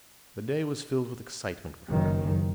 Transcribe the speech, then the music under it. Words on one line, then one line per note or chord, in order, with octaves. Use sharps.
The day was filled with excitement for Harry.
F#1 D#3